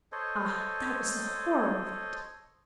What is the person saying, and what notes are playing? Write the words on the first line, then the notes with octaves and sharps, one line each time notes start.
Ah, that was the horror of it!
A4 C5 C#5 D#5